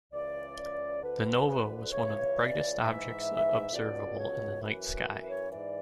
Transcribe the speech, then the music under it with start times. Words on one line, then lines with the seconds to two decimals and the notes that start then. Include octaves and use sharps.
The nova was one of the brightest objects observable in the night sky.
0.12 C#2 C#3 E3 D5
1.02 D2 D3 B4
1.48 B4
1.92 C#2 C#3 E3 C#5
2.36 D5
2.82 G#2 E3 E5
3.71 C#2 B2 D5
4.16 C#5
4.61 F#2 E3 B4
5.06 B4
5.29 C#5
5.51 G#2 E3 D5